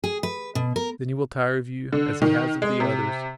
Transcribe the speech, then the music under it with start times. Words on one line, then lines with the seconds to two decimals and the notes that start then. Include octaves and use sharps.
Then he will tire of you as he has of the others.
0.04 G#4
0.23 B4
0.55 B2
0.76 A#4
1.93 D3
2.22 D#3
2.62 G#3
2.80 C3